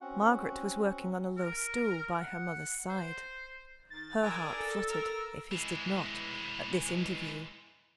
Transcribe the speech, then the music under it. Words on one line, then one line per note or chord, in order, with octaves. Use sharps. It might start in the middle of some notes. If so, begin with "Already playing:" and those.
Margaret was working on a low stool by her mother's side. Her heart fluttered, if his did not, at this interview.
C4 C#4 F#4 F#5
A#4
F#5
C5
D#3 A6
D4 G#4 A#4 G#5 E6
A4
A#4
E3 G#3